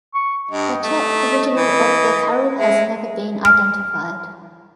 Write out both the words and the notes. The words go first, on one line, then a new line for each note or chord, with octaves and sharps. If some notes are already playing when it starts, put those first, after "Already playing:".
The Czech original of the carol has never been identified.
C#6
G2 D#5
A3
E3
G#3 E5
F6